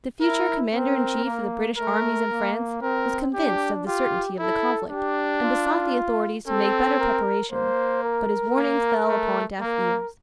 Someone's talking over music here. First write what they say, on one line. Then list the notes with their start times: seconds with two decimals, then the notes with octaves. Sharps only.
The future commander-in-chief of the British armies in France was convinced of the certainty of the conflict and besought the authorities to make better preparation--but his warnings fell upon deaf ears.
0.21 E4 A#4
0.73 C4 A#4
1.25 A#3
1.77 A3 A#4
2.30 A#3
2.82 C4 A#4
3.34 D4 G4
3.86 F4 G4
4.39 E4 A4
4.90 D4 G4
5.43 F4
6.48 C4 A4
7.00 A#4
7.52 A#3 C5
8.04 A#4
8.56 A#3
9.08 A3
9.61 A#3 A#4